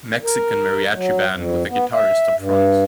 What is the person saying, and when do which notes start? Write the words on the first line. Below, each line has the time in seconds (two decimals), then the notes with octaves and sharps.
Mexican mariachi band with the guitarist up front.
0.23 A#4
0.93 F#3
1.30 F2
1.69 B3
1.94 E5
2.35 G2